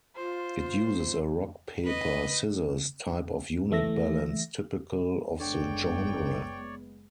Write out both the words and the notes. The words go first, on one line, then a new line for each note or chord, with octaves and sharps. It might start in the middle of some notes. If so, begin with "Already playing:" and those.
It uses a rock-paper-scissors type of unit balance typical of the genre.
F4 C5
B4 D#5
E3 A3 E5 A#6
F#1 D3 G#3 B3 C#5 D5 G5